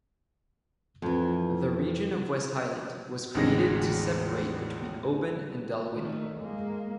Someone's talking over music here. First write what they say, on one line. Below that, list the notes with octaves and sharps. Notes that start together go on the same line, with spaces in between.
The region of West Highland was created to separate between Oban and Dalwhinnie.
F2 E3
A1 E2 D3 D#3 G#3 A#6
D#3 A3
G#3 A#3